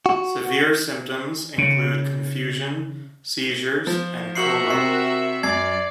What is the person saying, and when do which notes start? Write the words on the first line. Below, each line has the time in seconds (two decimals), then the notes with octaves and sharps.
Severe symptoms include confusion, seizures, and coma.
0.06 F#4
1.58 C#3
3.87 F3
4.35 F#4 A#4 E5 C7 C#7 F#7
4.70 C3 C7
5.43 F#2 D5 G#6 C7